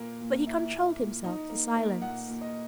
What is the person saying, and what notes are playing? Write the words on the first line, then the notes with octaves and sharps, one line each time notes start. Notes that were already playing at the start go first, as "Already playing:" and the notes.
But he controlled himself to silence.
Already playing: A#2 A#3
A#2
E4
A#2
A#2
D#4
A#3
A#3
A#2 F#5
A#2
D#5